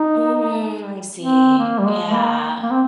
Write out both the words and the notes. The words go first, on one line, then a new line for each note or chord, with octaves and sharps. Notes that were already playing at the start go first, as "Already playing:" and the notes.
Mhm, I see, yeah.
Already playing: D#4
C4
A#3
G3
G#3
A#3
A#3
C4